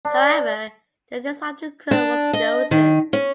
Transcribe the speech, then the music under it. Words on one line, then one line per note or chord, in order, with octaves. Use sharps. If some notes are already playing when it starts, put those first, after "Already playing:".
However the design of the curl was chosen.
D4
D4
D#5
D#3
C#4